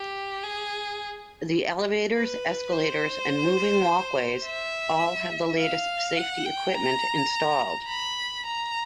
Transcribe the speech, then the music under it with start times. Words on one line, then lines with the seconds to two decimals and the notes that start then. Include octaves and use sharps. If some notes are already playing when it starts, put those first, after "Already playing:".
The elevators, escalators and moving walkways all have the latest safety equipment installed.
Already playing: G4
0.44 G#4
2.16 B4
2.72 C5
4.45 E5
5.59 F5
6.17 F#5
6.45 G5
6.74 A#5
7.89 B5
8.46 A#5